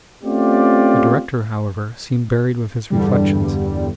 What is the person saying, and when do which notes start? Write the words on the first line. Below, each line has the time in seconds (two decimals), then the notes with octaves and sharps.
The director, however, seemed buried with his reflections.
0.23 A3 C4 C#4 F4 G4 D5
2.90 E2 G2 D3 G3